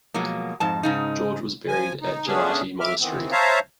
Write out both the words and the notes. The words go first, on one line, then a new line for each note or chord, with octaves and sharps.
George was buried at Gelati monastery.
B2 F3 F#3 G#3 A#3
F2 G#2 A5
G#2 C#3 D#4
F3 G#5
D#4
A3 B3 C#4 D4 G#4
E5 D6 F6
D#3 E3 B3 C4
C5 C#5 E5 F5 A5 A#5